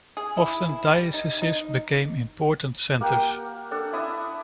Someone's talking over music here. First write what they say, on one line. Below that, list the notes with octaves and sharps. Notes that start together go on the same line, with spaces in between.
Often dioceses became important centres.
G#4
E4
E4
G3
D#4
D#4
A#3 G4 F#5 G5
D4 A4 F#5
E4 D5 E5 D#6